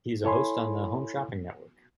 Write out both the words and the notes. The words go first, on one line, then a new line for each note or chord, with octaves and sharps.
He is a host on the Home Shopping Network.
E4 A4 C#5 G#5 B5 C6